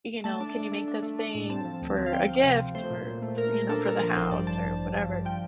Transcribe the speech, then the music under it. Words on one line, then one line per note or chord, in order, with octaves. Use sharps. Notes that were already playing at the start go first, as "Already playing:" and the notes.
you know? Can you make this thing for a gift or, f you know, for the house or whatever."
A3 A5
D4
D4
A3
D4
A3
D4
A2
C4 A5
F3
D2
C4
F5
C4 G5
C4
C3
C4
A3 C5
A#2
A#2
A3
A#2 A#4
A3 A#4
D4 A4
A#2 A#4
F3 A#4
A1 C5
G2 D5
A1 A5
A1
A1
F3
G2
F3 G5